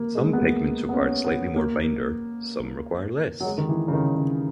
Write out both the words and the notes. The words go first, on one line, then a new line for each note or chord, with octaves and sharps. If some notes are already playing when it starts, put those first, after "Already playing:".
Some pigments require slightly more binder, some require less.
Already playing: A#3
G#3
B3
A#3
B3
C#4
B3
A#3
F#3
G#3
D#3
E3
C#3
D#3
C#3